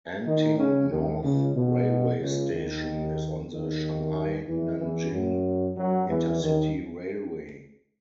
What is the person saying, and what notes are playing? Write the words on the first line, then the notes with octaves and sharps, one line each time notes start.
Anting North Railway Station is on the Shanghai-Nanjing Intercity Railway.
D#3 D#4
C#3 C#4
D#2 D#3
C#2 C#3
B2
C#2 C#3
D#2 D#3
D#2 D#3
E2 E3
E2 E3
F#2 F#3
F#2 F#3
E2 E3
D#2 D#3